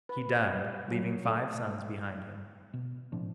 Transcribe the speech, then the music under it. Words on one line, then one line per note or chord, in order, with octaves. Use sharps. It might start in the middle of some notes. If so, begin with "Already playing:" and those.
He died, leaving five sons behind him.
B4
G3
F#3
A3
B2
G#1 A2 F3 D4